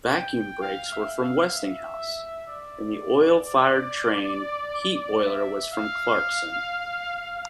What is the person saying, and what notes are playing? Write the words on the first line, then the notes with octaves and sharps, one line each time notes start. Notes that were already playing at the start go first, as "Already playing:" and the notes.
Vacuum brakes were from Westinghouse, and the oil-fired train heat boiler was from Clarkson.
G5
F5
E5
F5
E5
D5
E5
F5